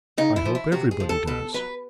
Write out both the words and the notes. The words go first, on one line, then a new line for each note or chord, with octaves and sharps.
'I hope everybody does.'
C#3 D#4
E4
F3
E4
C3 F#4
G#4
F3
A4
B2 A4
F#3 B4